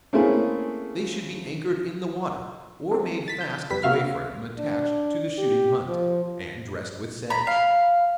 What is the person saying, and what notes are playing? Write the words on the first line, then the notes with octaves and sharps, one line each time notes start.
They should be anchored in the water, or made fast to a frame attached to the shooting-punt, and dressed with sedge.
A3 A#3 C4 C#4 E4 G#4
G#3 C4
A6 B6
G6
F2 G3 B4 B6
C3 A#3 F#4 E5 F5 F6
D4
G4
F3
A#5 B5
F5